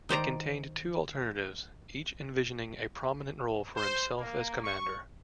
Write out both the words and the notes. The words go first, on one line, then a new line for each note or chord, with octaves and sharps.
It contained two alternatives, each envisioning a prominent role for himself as commander.
D#3 C5 D5 A#5
C5
A#3
C#6